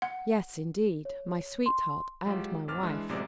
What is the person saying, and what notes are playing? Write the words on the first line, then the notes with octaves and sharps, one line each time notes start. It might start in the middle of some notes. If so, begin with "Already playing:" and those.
"Yes, indeed; my sweetheart and my wife."
F#5
C#5
C6
F#3 G#3 F4 G4
A1 F2 D6 F6 A6
E3 G#3 D4
A1 F#2 C3 F#3 G#3 D5